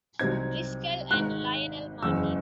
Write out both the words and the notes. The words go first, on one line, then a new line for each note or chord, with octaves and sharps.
Driskell, and Lionel Martin.
C2 C3 F#3 C4 D#4 G#6
G#1 G#2 D#3 F#6
F#1 E2 C#3 E6